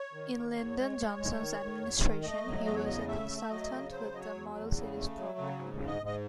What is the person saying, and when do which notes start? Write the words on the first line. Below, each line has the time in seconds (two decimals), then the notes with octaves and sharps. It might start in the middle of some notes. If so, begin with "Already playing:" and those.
In Lyndon Johnson's administration he was a consultant with the Model Cities Program.
Already playing: C#5
0.13 D#3
0.35 D#3
0.55 E2 C#5
0.77 G#3
0.98 G#3
1.19 G#3
1.40 D#3
1.61 D#3
1.81 E2
2.02 D#3
2.23 A3 D#5
2.45 F#3
2.65 E2 D#5
2.75 C#5
2.85 C#3 D#5
3.07 A3 E5
3.29 A3
3.38 E5
3.49 F#3 D#5
3.71 C#3
3.91 F#3 C5
4.12 F#3 D#5
4.20 C#5
4.34 E2
4.55 E2
4.76 C#3
4.97 A3
5.18 F#3
5.39 C#3
5.59 G#2
5.80 G#2
5.87 D#5
6.02 G#2 D#5